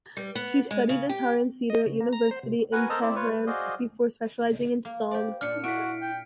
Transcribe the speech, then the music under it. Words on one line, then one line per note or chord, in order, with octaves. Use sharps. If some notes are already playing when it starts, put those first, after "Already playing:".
She studied the tar and setar at university in Tehran before specialising in song.
G3
B3
G#3
C#3
G4
D#5
C#3
A#3
A#5
C5
C3
F#4 A#4 B4 F#5 G#5
A4 A#4 C5 D#5 A5 A#5
C4 E4 D5
F4 B4 C#5
B4
F#4 G#4 C5 D5 D#5 F5
A#3
G4 C5 D5
A#2 D4 D5 F6 C#7
E4 F#4 E5 B6 D7
G5